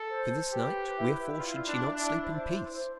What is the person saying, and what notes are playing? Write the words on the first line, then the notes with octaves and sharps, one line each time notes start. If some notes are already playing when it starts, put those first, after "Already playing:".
For this night, wherefore should she not sleep in peace?
Already playing: A4
C5
G4 B4
E4
F4 D5
D4
E4
D4
C5
C5